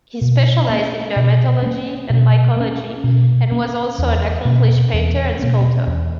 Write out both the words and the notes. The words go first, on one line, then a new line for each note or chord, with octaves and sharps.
He specialized in dermatology and mycology, and was also an accomplished painter and sculptor.
B2
A#3 C#4
B2
A#3 C#4
B2
A#3 C#4
B2
A#3 C#4
E2
B2 A#3 C#4
E2
B2 A#3 C#4
E2